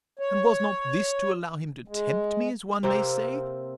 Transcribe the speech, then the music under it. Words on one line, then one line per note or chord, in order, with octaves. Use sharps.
And was not this to allow him to tempt me, as one may say?
C#5
G#3
C3 A#3 C4